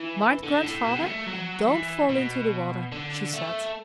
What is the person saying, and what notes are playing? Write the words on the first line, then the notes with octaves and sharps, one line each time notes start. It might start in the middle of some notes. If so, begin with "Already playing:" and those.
"Mind Grandfather, and don't fall into the water," she said.
Already playing: E3
D3
A2
B2
A3
F#3
E3
B2
D3
A3